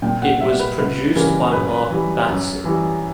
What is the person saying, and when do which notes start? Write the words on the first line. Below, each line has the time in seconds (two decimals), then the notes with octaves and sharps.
It was produced by Mark Batson.
0.02 A#2 G5
0.22 F#5
0.41 G3 E5
0.59 B4
0.77 C#2 B4
1.15 C#3 E3 G3 A#4
1.53 F#2 B4
1.90 E3 G3
2.28 F#2
2.65 E3 G3